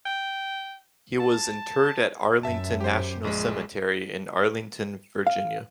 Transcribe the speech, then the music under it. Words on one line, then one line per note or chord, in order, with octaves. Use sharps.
He was interred at Arlington National Cemetery in Arlington, Virginia.
G5
A5
F#2 E5 A5
G4 C5
A#1 G#3
F5